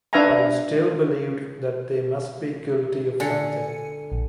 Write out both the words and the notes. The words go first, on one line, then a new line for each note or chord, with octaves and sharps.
But he still believed that they must be guilty of something.
D4 B4 E5 F5 G#5 A#5
D3 G#5 C#7
A#1